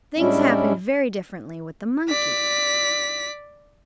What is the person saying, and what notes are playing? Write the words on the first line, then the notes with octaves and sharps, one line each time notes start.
Things happened very differently with the monkey.
A2 G3 G#3 C#4 D4 E4
D5 B6